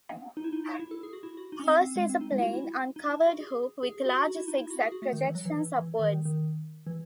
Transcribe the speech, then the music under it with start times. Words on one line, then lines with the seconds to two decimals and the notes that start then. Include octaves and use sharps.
Hers is a plain uncovered hoop with large zig-zag projections upwards.
0.37 D#4
0.44 E4
0.52 D#4
0.80 E4
0.91 A4
1.03 G#4
1.13 F#4
1.23 E4
1.37 F#4
1.52 D#4
1.59 C#4
1.67 C4
1.81 C4
1.96 G#3
2.09 C4
2.21 D#4
2.32 G#3
2.39 E4
2.42 F#4
2.53 E4
2.96 D#4
3.11 E4
3.26 F#4
3.40 G#4
3.83 G#4
4.05 F#4
4.27 F#4
4.37 E4
4.48 D#4
4.58 E4
4.70 F#4
4.81 G#4
4.92 F#4
5.02 A3
5.13 D#3
5.24 E3
5.35 F#3
5.45 E3
5.57 E3
5.78 E3
5.99 D#3
6.25 D#3
6.87 E3